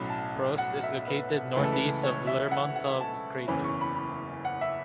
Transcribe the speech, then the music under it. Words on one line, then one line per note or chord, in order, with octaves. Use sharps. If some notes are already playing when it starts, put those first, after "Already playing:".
Proust is located northeast of Lermontov crater.
Already playing: B1 A2 F#3 C#4 B5
A5
F#5
E5
B4
C#2 C#3 E3 A3 B4
A4
B4
C#5
E5
F#5
F#5
A5
F#1 E2 E3 C#4 B5
C#6
B5
B5
F#5
E5